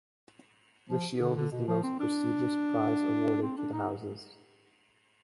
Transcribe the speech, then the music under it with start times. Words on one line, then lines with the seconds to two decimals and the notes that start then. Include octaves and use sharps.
The shield is the most prestigious prize awarded to the houses.
0.89 F3
1.20 D3
1.36 D3
1.52 B2
1.68 F3
1.83 C4
1.99 D4
3.42 C4
3.57 D4
3.73 D#4